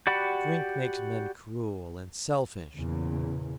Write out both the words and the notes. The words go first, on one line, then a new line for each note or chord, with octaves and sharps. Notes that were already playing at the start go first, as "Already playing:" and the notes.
Drink makes men cruel and selfish.
F#4 G4 D5 F#5 B5
E2 A#2 C#3